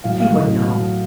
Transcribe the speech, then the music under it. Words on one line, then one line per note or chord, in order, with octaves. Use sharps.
He would know.
A2 F#3 F5
F5
A2 F#3 D#5
A2 F#3